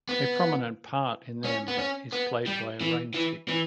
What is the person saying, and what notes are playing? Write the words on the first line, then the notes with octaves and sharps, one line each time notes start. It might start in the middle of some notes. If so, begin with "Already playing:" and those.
A prominent part in them is played by a rain-stick.
B3
C#4
B3
C#4
B3
G3
E3
E3
E3